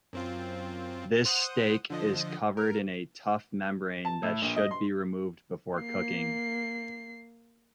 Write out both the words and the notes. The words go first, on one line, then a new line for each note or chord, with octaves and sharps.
This steak is covered in a tough membrane that should be removed before cooking.
F#2 C4 F4
C5 F#5 D#6
D3 F3 D#5
A#4
A5
A2
A#1
D#5
C6
A#3 C7